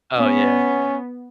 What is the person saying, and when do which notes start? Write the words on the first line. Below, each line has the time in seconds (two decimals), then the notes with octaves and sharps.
Oh, yeah.
0.17 B3 C#4